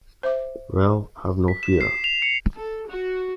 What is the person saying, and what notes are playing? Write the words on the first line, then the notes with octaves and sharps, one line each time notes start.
Well, have no fear.
C5 E5 D6
B6
E7
C7
F7
C#7
A4
F#4